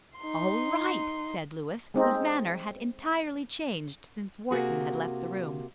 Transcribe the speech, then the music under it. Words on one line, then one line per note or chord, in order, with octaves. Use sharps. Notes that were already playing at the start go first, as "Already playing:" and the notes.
"All right!" said Louis, whose manner had entirely changed since Wharton had left the room.
D#4 C6
G#3 C4 D#4
C3 A#3 F#4 G#4